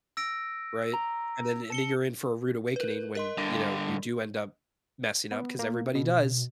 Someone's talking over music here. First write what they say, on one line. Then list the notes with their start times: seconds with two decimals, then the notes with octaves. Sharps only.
right, and then and then you're in for a rude awakening when, you know, you do end up messing up 'cause everybody does.
0.17 E6 A#6 D7
0.94 A#5
1.70 A5 C#7 G7
2.76 A#4 B4
3.15 A#4 D#5 C6
3.38 G2 D3
5.32 B3
5.59 A#3
5.95 B2